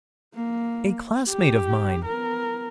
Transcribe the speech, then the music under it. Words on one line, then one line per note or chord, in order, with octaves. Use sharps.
"A classmate of mine."
A#3
G4
B3 A#4